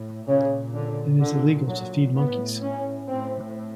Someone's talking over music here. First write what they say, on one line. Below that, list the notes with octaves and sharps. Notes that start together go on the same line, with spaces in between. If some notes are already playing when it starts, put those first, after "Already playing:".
It is illegal to feed monkeys.
Already playing: A2
A#2 C#3
D3
A#2 D3
F#3
A2 B3
C#4
A2 C4